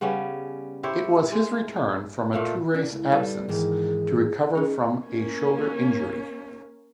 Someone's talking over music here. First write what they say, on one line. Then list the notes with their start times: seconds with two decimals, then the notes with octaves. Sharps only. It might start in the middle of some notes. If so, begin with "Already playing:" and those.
It was his return from a two-race absence to recover from a shoulder injury.
0.01 C#3 G3 B3 C#4
0.83 E4 G4 C5 C#5
1.32 G#3
2.33 A#2 A3 F5
2.74 C#4 D4
2.92 C#2 E4
3.12 G3 A4 B4
3.49 G#2 D#3 E3 G#4
4.55 C#4 D#4 G#4
5.07 A#3 C#4